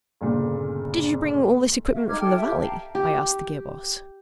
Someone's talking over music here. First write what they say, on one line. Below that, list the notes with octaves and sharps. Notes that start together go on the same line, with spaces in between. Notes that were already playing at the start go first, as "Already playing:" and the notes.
"Did you bring all this equipment from the valley?" I asked the Gear Boss.
G1 A#2 C#3
F#4 A4 E5 F5
D#4 D6 F6 G#6
A4 G5 D6
G4 B4 E5
F5 G5 A5 A#5
G4